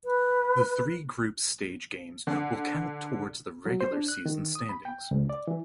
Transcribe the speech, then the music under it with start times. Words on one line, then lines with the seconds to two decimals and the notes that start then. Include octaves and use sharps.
The three group stage games will count towards the regular season standings.
0.05 B4
2.27 D3
3.66 F#3
3.81 C5
3.93 D4
4.08 F#6
4.26 D#3
4.55 D#6
4.69 B5
4.85 G5
5.11 C#2
5.29 D5
5.47 E3